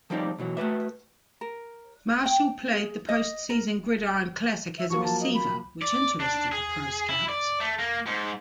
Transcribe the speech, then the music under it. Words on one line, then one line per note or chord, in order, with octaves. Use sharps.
Marshall played the post-season Gridiron Classic as a receiver, which interested the pro scouts.
F3 G3 C4 D#4 G4 D5
B2 E3 F#3
A3 F#4 B4 E5
A#4
G5
G#4
D#5
A#4
E5
F3 F#3 A#3 C#6
A5
D#5
B5
D5
D4
G#4
E4
D5
A3
A#3
G#2